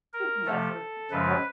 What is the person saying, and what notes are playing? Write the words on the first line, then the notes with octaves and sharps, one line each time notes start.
Just mess with people.
A#4
C3 F3 A3 A4
F#2 C#3 F3 G#3 B4